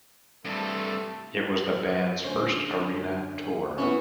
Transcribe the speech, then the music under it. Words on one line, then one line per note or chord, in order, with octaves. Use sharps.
It was the band's first arena tour.
G2 C3 A3 A4
D3 C#4 C5
E3 B3 C#4 E4 F#4